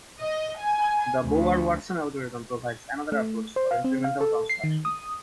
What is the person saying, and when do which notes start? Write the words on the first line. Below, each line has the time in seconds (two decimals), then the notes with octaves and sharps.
The Bowyer-Watson algorithm provides another approach for incremental construction.
0.20 D#5
0.58 G#5
1.26 D2
3.12 A3
3.56 C5
3.71 F5
3.84 C4
4.04 F5
4.21 A4
4.49 C7
4.64 D#3
4.85 D#6